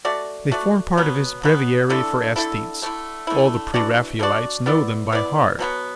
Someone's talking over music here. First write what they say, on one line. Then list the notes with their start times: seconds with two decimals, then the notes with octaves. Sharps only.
They form part of his "Breviary for Aesthetes"; all the Pre-Raphaelites know them by heart.
0.05 A3 F#4 D5
0.51 A3 F#4 D5
0.97 B2 F#3 B3
1.43 B2 F#3 B3
1.90 D3 A3 E4 A4
2.36 D3 A3 E4 A4
2.82 D3 A3 E4
3.27 D3 A3 E4
3.74 E3 D4 F#4 D5
4.19 E3 D4 F#4 D5
4.66 B3 E4 D5
5.12 B3 E4 D5
5.59 B2 F#3 B3